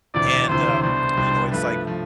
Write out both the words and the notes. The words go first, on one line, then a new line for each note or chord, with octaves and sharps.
And, um, you know, it's, like,
E1 D2 C3 E3 D5
E1 D2 C3 E3 C5
C2 B2 G3 D4 C5
C2 B2 G3 D4
G2 F3 A3 B4
F3 A3